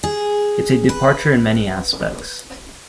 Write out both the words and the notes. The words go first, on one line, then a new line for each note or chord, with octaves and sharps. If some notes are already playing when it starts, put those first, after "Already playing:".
It's a departure in many aspects.
G#4
B4